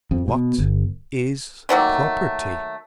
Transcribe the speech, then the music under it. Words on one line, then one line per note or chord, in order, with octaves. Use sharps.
What is property?
F2
B2
G1
D#3 F#3 A3 A#3